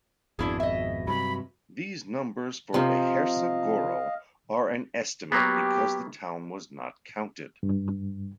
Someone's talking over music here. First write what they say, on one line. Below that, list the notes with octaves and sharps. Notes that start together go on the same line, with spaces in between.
These numbers for Ejersa Goro are an estimate, because the town was not counted.
G#1 F2 B2 D4 E4 G#4
D#5 E5
G2 C3 F#3 B5
C3 F3 D#5 F5
F#3 A#3 B3 G4
G2